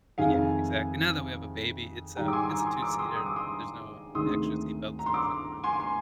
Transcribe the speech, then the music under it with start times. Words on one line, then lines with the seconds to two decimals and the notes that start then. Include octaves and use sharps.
Yeah. Exactly. Now that we have a baby, it's um, it's a two-seater. There's no extra seat belt, so it's not practical.
0.18 F2 C3 D#3 G#3 F5 G#5
2.16 G#2 D#3 G3 G5 A#5
2.28 D6
2.33 G#5 C6
2.49 A#5 D6
2.66 C6 D#6
2.82 A#5 D6
2.99 C6 D#6
3.16 D#6
3.26 D6
3.36 C6 D#6
4.15 D2 C3 D#3 G#3 C6 D#6
4.99 A#5
5.06 C6
5.14 A#5 D6
5.64 G#5 C6
5.80 C6